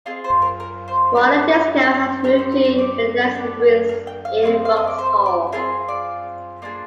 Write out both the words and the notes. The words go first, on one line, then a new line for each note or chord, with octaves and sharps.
Roller Disco has moved to Renaissance Rooms in Vauxhall.
C4 F4 G#4 D#5
C5
A#4
A#4
C5
D4 G4 A#4
C4 D#4 G4 A#4
C5
A#4
C5
D5
D4 G4
A#4
G5
F5
C4 F4 G#4
F5
D#5
D5
C5
D5
C4 F4 G#4 A#4
D5
A#3 D4 F4 G#4